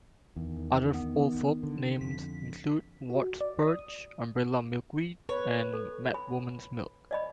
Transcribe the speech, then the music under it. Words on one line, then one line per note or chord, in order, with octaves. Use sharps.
Other old folk names include wart spurge, umbrella milkweed and "madwoman's milk".
E2 D#3
B3
D3
F2 D3 B6
F#4
D5
D#6
B4 C#5
A4
B5
D5 D#5 B5